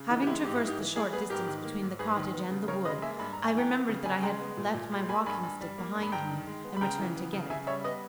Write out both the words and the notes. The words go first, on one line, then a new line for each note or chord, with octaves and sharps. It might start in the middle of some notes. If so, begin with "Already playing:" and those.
Having traversed the short distance between the cottage and the wood, I remembered that I had left my walking-stick behind me, and returned to get it.
Already playing: C#3
E3 D#4
G4
G#3 E4
G#2 G4
E4
G#2
D#4 G4
E3
G3 E4 G#4
B3 G#4 B4
G#2 G4 A#4
D#3
A#3
G#2
G#2 G#4 B4
D#3
B3
C#3
C#3 A#4 C#5
G#3 B4 D#5
A#3 E5 G#5
G2 B5
G2 A#5
G#5
E3 G5 A#5
B3
C#3
C#3 G#5 B5
G#3 G5 A#5
B3
A#2
A#2
G#3
A#3 G#5 B5
G2 G#5 B5
G2
G3
A#3
G2
B5
G2 G5 A#5
D#3
G#3
B3
B5
C#3 G5 A#5
E3
B3
C#3
C#3 E5 G#5
G3 C#5 E5
B3 B4 D#5